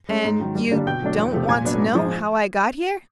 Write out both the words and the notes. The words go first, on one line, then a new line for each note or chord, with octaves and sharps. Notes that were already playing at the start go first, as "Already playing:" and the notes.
"And you don't want to know how I got here?"
G#3 C#4
G#2
D#3 F#3
G2
D3 G3 A#3 D4
B2 G5 G6
F#3 A3 D4
E2
C3 F3 A3
A#2 G#5 G#6
F#3 B3 D4
G#2
F3 G#3